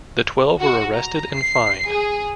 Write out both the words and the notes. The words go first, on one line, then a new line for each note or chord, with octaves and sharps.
The twelve were arrested and fined.
F#4
A#5
C7
G#4